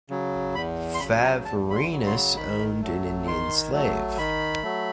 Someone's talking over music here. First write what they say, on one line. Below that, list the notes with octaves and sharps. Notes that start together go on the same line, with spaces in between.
Favorinus owned an Indian slave.
C#3 F#3
E2 B5
C6
C#3 F#3 B5
A#5
E2 A5
B5
C6
C#3 F#3
C6
D#3 B5
F#3 A3
D#3 C6
F#3 A3
D#3 B5
F#3 A3